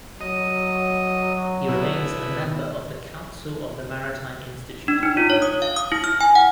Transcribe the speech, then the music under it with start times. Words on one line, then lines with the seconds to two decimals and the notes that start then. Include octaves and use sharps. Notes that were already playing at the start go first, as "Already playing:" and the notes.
He remains a member of the Council of the Maritime Institute of Ireland.
0.21 F#3 D#5
1.69 B2 E4
4.88 D4
5.03 D#4
5.17 F4
5.30 C#5
5.42 D#6
5.62 F5
5.76 D#6
5.92 E4
6.04 F6
6.21 G#5
6.35 F#5